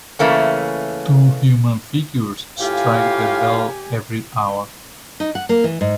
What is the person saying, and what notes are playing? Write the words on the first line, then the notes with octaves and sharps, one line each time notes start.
Two human figures strike the bell every hour.
C#3 E3 A3 A#3 C#4
A2 F4 G4 F5 G#5
D#4
F#5
A#3
E3
G#2